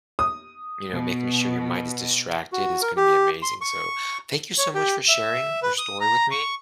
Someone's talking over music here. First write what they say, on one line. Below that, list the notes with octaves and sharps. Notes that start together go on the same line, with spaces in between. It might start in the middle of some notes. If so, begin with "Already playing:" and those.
you know, making sure your mind is distracted is gonna be amazing. So, thank you so much for sharing your story with me.
D#6
B2
F#4
A#4
G4
C6
C#6
C#5
G4
E5
B4
D#6
A#5
C#6